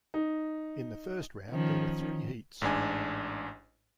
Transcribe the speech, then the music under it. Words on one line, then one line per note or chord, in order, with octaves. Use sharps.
In the first round, there were three heats.
D#4
D#3 F3 C#4
A1 G#2 D4 G#5